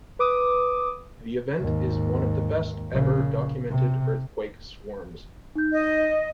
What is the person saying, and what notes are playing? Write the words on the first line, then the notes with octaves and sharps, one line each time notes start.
The event is one of the best ever documented earthquake swarms.
B4 D6 D#6
D#2 G#2
A#1 C#3
C3
D#4 G6
D#5